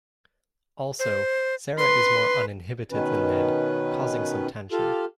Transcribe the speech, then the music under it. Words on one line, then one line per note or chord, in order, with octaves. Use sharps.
Also, Sara is more uninhibited than Ned, causing some tension.
C5
B4 C6
B2 D#3 C#4 B4
F4 G4 A4 F5